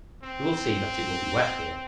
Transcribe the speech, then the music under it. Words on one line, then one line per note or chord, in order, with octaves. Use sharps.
You will see that it will be wet here!
C4